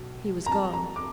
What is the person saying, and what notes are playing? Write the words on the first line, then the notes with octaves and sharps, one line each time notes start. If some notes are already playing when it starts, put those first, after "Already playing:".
He was gone.
Already playing: B1 B2 F#3
A#5
A5
A#5
D6